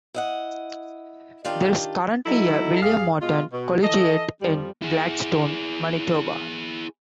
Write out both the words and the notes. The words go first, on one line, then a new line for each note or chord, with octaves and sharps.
There is currently a William Morton Collegiate in Gladstone, Manitoba.
E4 D#5 F#5
D#3 D4 F4 G4
F#3 D#4 E4 A4
G2 G#4 F5
B2 G#3 F4
B2
E3 A4 D#5
F2 F3 G3
E4 G#4